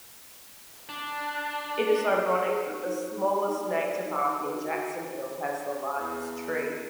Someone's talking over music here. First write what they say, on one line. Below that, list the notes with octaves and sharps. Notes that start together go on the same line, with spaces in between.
It is ironic that the smallest nature park in Jacksonville has the largest tree.
D4
G#4
D#4
D#4
G4
D#4
D5
D#4
B4
F#4
E2